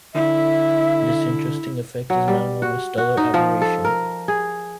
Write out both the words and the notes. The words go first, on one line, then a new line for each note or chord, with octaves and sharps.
This interesting effect is now known as stellar aberration.
D3 E4 E5
F#3
G3
F#4
F#4
D#4
F3
A4
A#4
G#4